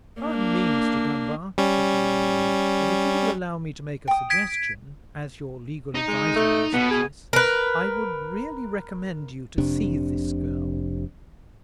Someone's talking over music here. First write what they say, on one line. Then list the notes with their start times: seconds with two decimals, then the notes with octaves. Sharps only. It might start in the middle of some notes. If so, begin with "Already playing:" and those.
"Pardon me, Mr. Dunbar," said the young lawyer; "but if you will allow me to make a suggestion, as your legal adviser in this business, I would really recommend you to see this girl."
0.21 A#3 D4
1.58 G3 C#4
4.08 G5 D#6
4.30 G#6 B6 D7
5.95 D#4
6.08 G#3
6.36 A3
6.73 B2 B3
6.91 G#4
7.33 A#4 B4
9.58 F1 C3 D4